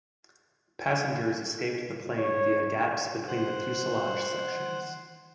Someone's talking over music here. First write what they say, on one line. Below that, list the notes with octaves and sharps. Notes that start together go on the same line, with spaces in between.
Passengers escaped the plane via gaps between the fuselage sections.
C#5
C5 F#5